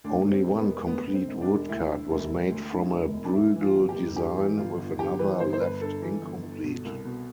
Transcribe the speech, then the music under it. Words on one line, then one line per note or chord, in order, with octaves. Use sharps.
Only one complete woodcut was made from a Bruegel design, with another left incomplete.
D2 D4
D3
C4
E1
B3
E1
D2 B3
D3 B3
C4
E1
D4
E1
D2 E4
D3
E1
E1
D2
D3
E1
E1
D4
G2 E4
E3
F4
G1
G4
G1
G2 G4
E3
G1 F4
G1
G2 G4
E3 B4
G1 C5
C5
G1 B4
G2 A4
E3
G1
G1
B2
C2
B2